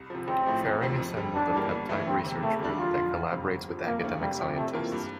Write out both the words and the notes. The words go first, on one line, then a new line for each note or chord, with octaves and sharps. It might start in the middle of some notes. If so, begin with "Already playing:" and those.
Ferring assembled a peptide research group that collaborates with academic scientists.
Already playing: C2
C3 F3
A1 C4
A2 F3 A3
E1
D2 C3 F3 C4
F2
D3 G3
G1 D4
G2 E3 G3 A#3
G1
G2 E3 A3 E4
E1 C4
E2 C3
E1 A3
E2 D3 G3 D4
F1 F4
F2 D3
F1
F2 C3 G3 C4
G1
G2 F3
F2 A#3
D3 A3 C4 E4
C3 G3
F3 C4 G4
C3 A3
E3 A#3 F4
G2